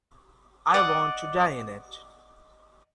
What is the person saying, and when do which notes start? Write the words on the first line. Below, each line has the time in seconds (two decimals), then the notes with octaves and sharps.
I want to die in it.
0.74 D5 D#5 F#5